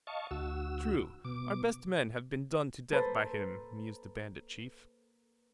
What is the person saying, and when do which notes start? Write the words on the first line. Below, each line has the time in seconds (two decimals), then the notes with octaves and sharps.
"True, our best men have been done to death by him," mused the bandit chief.
0.07 D#5 F5 A5 C#6
0.31 D2 F#4 E6
1.25 B2 D6
2.92 A#3 A4 B4 C5